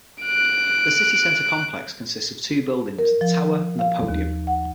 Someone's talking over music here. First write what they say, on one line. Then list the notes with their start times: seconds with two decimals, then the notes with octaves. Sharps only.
The Centre City complex consists of two buildings, the Tower and the Podium.
0.22 F#6 D7
2.98 A#4
3.21 F3
3.79 F5
4.08 D#2
4.47 F#5